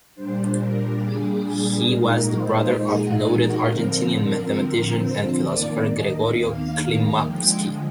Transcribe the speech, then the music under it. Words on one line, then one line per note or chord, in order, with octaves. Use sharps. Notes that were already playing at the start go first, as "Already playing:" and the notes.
He was the brother of noted Argentinian mathematician and philosopher Gregorio Klimovsky.
A#2 G3 D4 C5
A#4
G#4
G#4
A#2 G#3 D#4 A#4
C5
G#4
A#4
D3 F3 C4
A#4
C5
D#2 D#3 A#3 D5
D#5
F5
D3 F3 G#3 G5